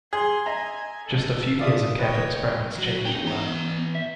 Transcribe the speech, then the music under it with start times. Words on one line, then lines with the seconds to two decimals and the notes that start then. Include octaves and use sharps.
Just a few years of careful experiments changed all that.
0.13 G#4 C6
0.46 D#5 E5 G#5 A#5
1.06 A4
1.59 F4 D5 E5 D#6
1.99 B4 C#5 D#5 G5
2.76 F#3 F#4
3.05 C#4 D#4 G5
3.24 E3 B3 A#5
3.95 E5